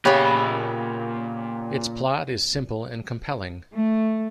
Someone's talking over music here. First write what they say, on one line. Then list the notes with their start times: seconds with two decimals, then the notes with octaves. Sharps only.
Its plot is simple and compelling.
0.05 A#2 C#3 B3 G4 C#5 B5
3.74 A3